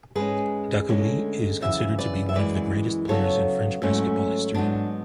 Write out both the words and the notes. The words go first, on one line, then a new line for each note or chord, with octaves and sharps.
Dacoury is considered to be one the greatest players in French basketball history.
G#2 G#3 C#4 G#4 B4
D2 D3 G#3 C#4
F#2 C#3 E3 E5
B4 D5
E5
F#2 E3 G#3 B4 D5
C#3 F#3 B3 A4 C#5
G#2 F#3 A3 C#4
G#2 F#3 B3 D4